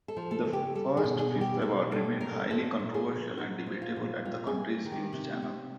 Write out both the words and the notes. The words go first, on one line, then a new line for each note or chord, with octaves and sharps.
The first fifth award remained highly controversial and debatable at the country's news channels.
A4
F3
A4
C#3
G4
G3 A4
G#4
B2
G#4
G3
G4
B2 A4
G3 A4
B2 A#4
F3 A4
A#2
G#4
F3
A#2 F#4
F3
F4
A#2
C3 F4
G#4
G3
D#3
G4
C3
C3